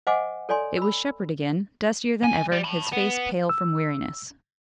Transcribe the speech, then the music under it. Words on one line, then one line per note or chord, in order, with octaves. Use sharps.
It was Shepard again, dustier than ever, his face pale from weariness.
C5 D#5 F5 F#5 G#5 D6
A4 C#5 D5 G#5 C6
B5 E6
C2 G#5
G3
A5 B5
B3
E6